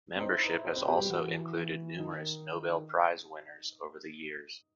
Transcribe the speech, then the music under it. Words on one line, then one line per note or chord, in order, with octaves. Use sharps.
Membership has also included numerous Nobel Prize winners over the years.
C4
D#4 C5
E4
D#4 B4
E4
D#4 C5
C4 B4
B3 G4
G3 G4
E3 F#4
D#3 D#4